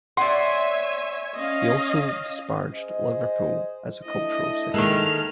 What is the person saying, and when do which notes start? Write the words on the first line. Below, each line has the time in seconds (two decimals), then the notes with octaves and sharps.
He also disparaged Liverpool as a cultural city.
0.17 C#5 D5 E5 F#5 G#5 C6
1.36 C#4 D#5 F5
2.74 G#4 C5 D#5
4.05 A3 D4 E4 D#5
4.74 D#3 G#3 A#3 A4 B4 F6